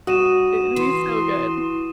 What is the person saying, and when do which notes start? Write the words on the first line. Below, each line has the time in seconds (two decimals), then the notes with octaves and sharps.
It'd be so good.
0.07 G2 F#4 D#6 D#7 E7
0.76 E3 C6